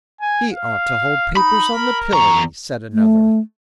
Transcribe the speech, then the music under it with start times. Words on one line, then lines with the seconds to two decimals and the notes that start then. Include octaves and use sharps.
"He ought to hold papers on the pillory," said another.
0.21 G#5
0.53 F5
1.37 D#4 B5
1.72 A#4
2.14 E2 A#5 C#6
2.93 A3